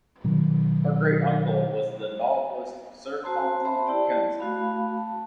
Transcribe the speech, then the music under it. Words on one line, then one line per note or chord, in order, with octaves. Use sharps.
Her great-uncle was the novelist Sir Compton Mackenzie.
B2 D#3 F#3
F#4 C5 A5 A#5 C6
C5 E5 A5 B5 C6
E4 G4 D5 G5 A5
A3 F#4 F5 B5
A5